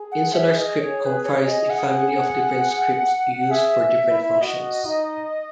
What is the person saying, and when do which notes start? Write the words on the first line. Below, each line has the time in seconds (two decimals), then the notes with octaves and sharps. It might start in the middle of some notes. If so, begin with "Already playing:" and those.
Insular script comprised a family of different scripts used for different functions.
Already playing: G#4
0.12 F#5
0.34 E5
0.57 D#5
0.79 C#5
1.02 C#5
1.05 B4
1.24 C#5
1.47 D#5
1.70 F#5
3.50 G#4 E5
4.10 E4
4.41 F#4 D#5
4.85 D#4